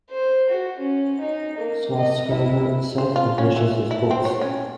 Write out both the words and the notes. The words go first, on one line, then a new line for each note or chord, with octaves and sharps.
Swartzwelder self-publishes his books.
C5
F#4
C#4
D#4
A#3
D#5
E4
C5
F4
C#4
E3
E4
C4
C#5
C#4